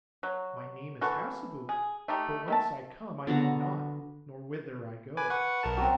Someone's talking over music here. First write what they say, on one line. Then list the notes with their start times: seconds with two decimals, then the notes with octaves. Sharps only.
'My name is Hassebu, but whence I come I know not, nor whither I go.'
0.23 F#3
1.01 E3 F#4 A4 C#6
1.69 G#4
2.08 A3 D#4 G4
2.48 D#3 E5 A5
3.27 D3 B3 F#4 A#5
5.17 B4 G#5 D6
5.30 B4 F#5 C#6
5.63 B1 A#4 A5
5.77 F#3 C4